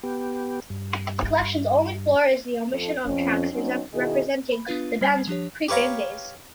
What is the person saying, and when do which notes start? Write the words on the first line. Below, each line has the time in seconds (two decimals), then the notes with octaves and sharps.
The collection's only flaw is the omission of tracks representing the band's pre-fame days.
0.03 B3 G4
0.70 G2
2.69 F2 F3 A4
3.05 F2 C#4
3.52 F#3 C4 C#4 D#4
3.94 B2 D#3 E4 F#4 G#4 D#5
4.52 B5
4.67 B3 D4 F4 B4 F5
5.01 G3 G#6
5.27 F3 D4 G4 C#5
5.69 G4 B4 C#5 F5 A#5